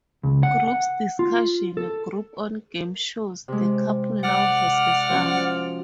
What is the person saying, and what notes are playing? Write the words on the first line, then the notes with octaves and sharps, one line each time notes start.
Groups discussion group on game shows; the couple now has a son.
C#2
F#5
F#5
F4
A4
C3 G#3
D5 F#5 F6
F3 C#4 F#4